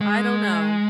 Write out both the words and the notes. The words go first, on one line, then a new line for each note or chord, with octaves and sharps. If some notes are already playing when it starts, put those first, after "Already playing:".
I don't know.
G#3